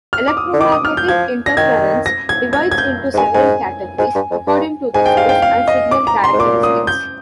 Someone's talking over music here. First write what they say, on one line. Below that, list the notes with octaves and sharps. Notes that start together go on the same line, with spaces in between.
Electromagnetic interference divides into several categories according to the source and signal characteristics.
F6
D6
D#6
D3
D#3 D6
D#6
F6
G6
F3 G#6
A#6
D#3 G#6
A#6
G#6
G#6
G#6
G6
G#2
G2 G#5
G#2 G#5
G#2 G#5
G2
F2
G2
G#2 G#5
G5
F5
G5
F5
D#5
D6
A#5
C6
G#2
A#2 D6
D#6
G6